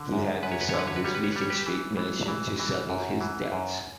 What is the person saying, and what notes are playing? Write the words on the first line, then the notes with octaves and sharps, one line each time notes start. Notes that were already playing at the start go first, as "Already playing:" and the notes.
He had to sell his Beacon Street mansion to settle his debts.
Already playing: D3
F#2
F#2 B4
C#5
B4
C#5
D3
B4
C#5
B4
G3 C#5
B4
C#5
G3 B4
C#5
G4 B4
E3
E3
E3
E3
F#2
E3
F#2